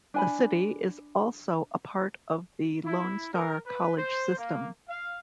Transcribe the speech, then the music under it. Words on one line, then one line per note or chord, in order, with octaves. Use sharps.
The city is also a part of the Lone Star College System.
D4 G#5 B5
E4
A#4
B4
C5
A#3
F5